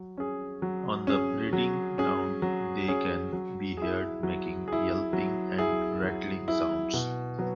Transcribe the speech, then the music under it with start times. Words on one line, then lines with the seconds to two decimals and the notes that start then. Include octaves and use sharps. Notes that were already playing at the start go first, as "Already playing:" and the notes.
On the breeding grounds they can be heard making yelping and rattling sounds.
Already playing: F#3
0.17 C#4 G#4
0.62 F#3
1.07 C#4 G#4
1.53 F#3
1.98 C#4 G#4
2.42 F#3
2.88 C#4 G#4
3.33 F#3
3.77 E4 G#4
4.23 F#3
4.68 E4 G#4
5.13 F#3
5.58 E4 G#4
6.03 F#3
6.48 E4 G#4
6.93 B2
7.39 F#3 B3